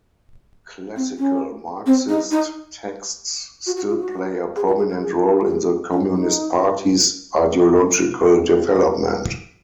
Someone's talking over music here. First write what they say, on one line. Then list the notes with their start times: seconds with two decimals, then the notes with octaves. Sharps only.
Classical Marxist texts still play a prominent role in the Communist Party's ideological development.
0.96 C4
1.18 C#4
1.86 C4
2.09 D#4
2.31 D#4
3.66 F#4
3.77 F#4
3.89 F4
3.99 F#4
4.56 G#4
4.67 F#4
4.78 G#4
4.89 A#4
5.01 G#4
5.15 F4
5.23 F#4
5.46 G#4
5.91 C#4
6.13 D#4